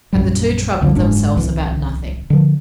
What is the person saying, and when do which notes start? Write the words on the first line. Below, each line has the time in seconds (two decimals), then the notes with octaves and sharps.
And the two troubled themselves about nothing.
0.13 A#1 F#2 G3
0.81 C2 F2 D3 G3
0.95 F#1 G#2 D4
1.35 D1 C2 E3
2.30 D3 F3